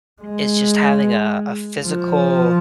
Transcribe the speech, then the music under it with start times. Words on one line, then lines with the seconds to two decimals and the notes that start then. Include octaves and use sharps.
is just having a a physical
0.22 G#3
1.84 F3